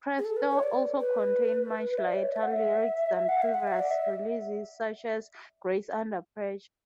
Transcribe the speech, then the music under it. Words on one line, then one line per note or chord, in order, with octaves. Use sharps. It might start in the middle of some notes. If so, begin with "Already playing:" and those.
"Presto" also contained much lighter lyrics than previous releases such as "Grace Under Pressure".
G#4
A4
B4
C#5
D5
B4
E5
D5
C#5
E5
F#5
E5
F#5
E5
F#5
E5
D5
E5